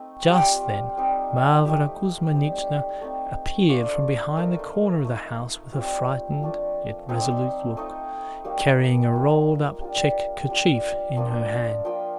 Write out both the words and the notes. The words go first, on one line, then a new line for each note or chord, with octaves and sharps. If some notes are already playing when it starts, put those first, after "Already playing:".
Just then Mavra Kuzminichna appeared from behind the corner of the house with a frightened yet resolute look, carrying a rolled-up check kerchief in her hand.
Already playing: A3 C4 D#4
G3 C4 F4 G4
G3 C4 D#4
F3 A3 D#4 G4
G3 C4 D#4
A3 C4 D#4
A3 D4 F4
A3 D#4 A#4
C5
A#4
A3 D#4 C5
G3 C4 F4 C5
F3 A3 D4 F4
F3 C4 D#4 C5
D5
C5
A3 D#4 D#5
G3 A#3 D#4 F5
A#3 F4
G3 D4 F4 F5
G3 D4 F4
F3 A#3 D4
F3 A#3 F4 G5